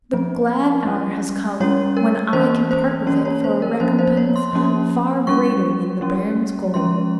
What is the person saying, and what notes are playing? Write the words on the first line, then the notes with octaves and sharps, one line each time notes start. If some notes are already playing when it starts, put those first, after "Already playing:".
"The glad hour has come when I can part with it for a recompense far greater than the baron's gold."
F3 C4
G3 C#4
G3 C#4 C#5
A#4
E3 A#3 C#4 C5
C5
E3 A#3 C#4 C#5
C#5
C5
A#4
F3 A#3 C#4 C5
C5
C#5
C6
F3 A#3 C#4
G3 C#4 C#6
G3 C#4
F3 G#3 C#4 C6